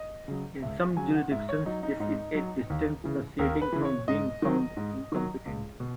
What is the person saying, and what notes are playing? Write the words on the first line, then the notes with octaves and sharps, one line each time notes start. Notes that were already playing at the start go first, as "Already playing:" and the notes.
In some jurisdictions, this is a distinct proceeding from being "found incompetent".
Already playing: D#5
C#3 F#3
C#2 E5
C#3 F#3 G#5
F#5
G#2 E5
C#5
F#3 D#4
D#4
G#2 D#4
F#3
D#2
C#3 E3
D#2 A#4
B4
C#3 E3
C#5
G#2 D#5
D#3 F#3
G#2
D#3 F#3
C#2
B2